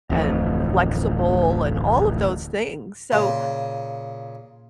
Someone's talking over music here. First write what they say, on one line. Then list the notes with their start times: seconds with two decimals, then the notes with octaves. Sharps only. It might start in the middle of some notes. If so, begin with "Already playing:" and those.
and flexible and all of those things, so
0.10 D1 A1 F2
3.12 A#2 C#3